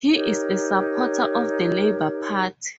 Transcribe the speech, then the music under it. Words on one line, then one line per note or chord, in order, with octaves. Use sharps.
He is a supporter of the Labour Party.
D#4 G4 A#4 C#5